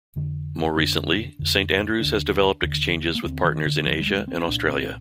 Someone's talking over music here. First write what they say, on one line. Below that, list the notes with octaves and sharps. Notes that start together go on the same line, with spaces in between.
More recently, Saint Andrews has developed exchanges with partners in Asia and Australia.
F2 D3
F2 D3 D4
F2 D3
D#2 D3 D4
D#2 D3
A#3
D#2 D3 C4
D#3
D3
D#2 D3 F3
G3
G#3
C4
C2 A#2 D4
C4